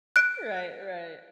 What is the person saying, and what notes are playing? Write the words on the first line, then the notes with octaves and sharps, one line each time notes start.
Right, right.
F#6 D7